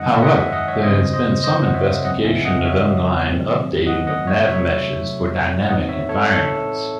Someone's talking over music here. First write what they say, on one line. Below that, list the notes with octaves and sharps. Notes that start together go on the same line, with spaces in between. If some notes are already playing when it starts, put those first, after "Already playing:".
However, there has been some investigation of online updating of navmeshes for dynamic environments.
Already playing: F#2 D#3 G#3 D#4 D#5 F#5
E5
D#5 F#5
E5 G#5
D#5 F#5
C#5 E5
F#2 C#3 E3 C4 C5 D#5
C5 D#5
C5 D#5
F#5
C#5 E5
C#2 C#3 F#3 C4 D#5 F#5
E5 G#5
D#5 F#5
C#5 E5
G#2 D#3 F#3 A3 C4
D#5 F#5
D#5 F#5
C#5 E5
C3 F#3 A3 C#5 E5
A2 E3 C4 D#4 D#5 F#5
C#5 E5
A4 C#5
A4 C#5